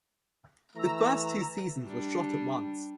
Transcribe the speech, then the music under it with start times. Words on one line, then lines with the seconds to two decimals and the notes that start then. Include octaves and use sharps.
The first two seasons were shot at once.
0.76 E3 A3 A#5 E6
1.85 G3 D4